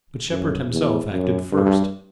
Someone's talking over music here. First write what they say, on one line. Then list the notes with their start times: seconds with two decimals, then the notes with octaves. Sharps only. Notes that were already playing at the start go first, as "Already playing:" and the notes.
But Shepard himself acted first.
0.30 F#2
0.71 E2
1.11 F#2
1.52 G2